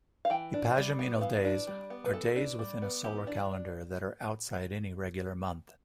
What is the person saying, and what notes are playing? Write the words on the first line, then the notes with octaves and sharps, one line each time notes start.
Epagomenal days are days within a solar calendar that are outside any regular month.
F5
E3 G5
D4
G3
B3
E3 F5
D4
G3
B3
B4
E3 A4
D4
G3
B3
E3 G4
D4